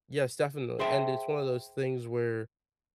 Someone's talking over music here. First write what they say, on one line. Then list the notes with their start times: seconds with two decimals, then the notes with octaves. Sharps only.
Yes, definitely, and it's one of those things where,
0.79 G#4 C5 E5 G5 A5